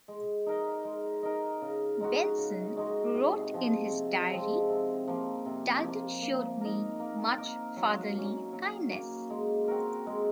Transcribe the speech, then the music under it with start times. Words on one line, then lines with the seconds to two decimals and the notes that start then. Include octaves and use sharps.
Benson wrote in his diary "Dalton showed me much fatherly kindness".
0.08 G#3
0.46 D#4 A#4 D#5
0.85 G#3
1.23 D#4 A#4 D#5
1.62 C#3
2.00 G#3 D#4 F#4
2.38 C#3
2.77 G#3 D#4 F#4
3.15 C3
3.54 F3 G#3 C4
3.92 C3
4.30 F3 G#3 C4
4.69 C3
5.08 F3 A#3
5.46 C3
5.84 F3 A#3
6.22 A#3
6.61 D#4 A#4
6.99 A#3
7.38 D#4 A#4
7.76 F#3
8.14 A#3 C#4
8.53 F#3
8.91 A#3 C#4
9.30 G#3
9.68 C4 F#4 A#4
10.07 G#3